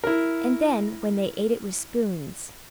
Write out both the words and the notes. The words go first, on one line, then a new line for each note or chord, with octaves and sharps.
And then when they ate it with spoons!
E4 A#4